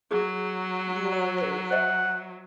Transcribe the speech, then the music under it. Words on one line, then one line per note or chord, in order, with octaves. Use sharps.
love it.
F#3 G#4
C5 D#5 E5 F#5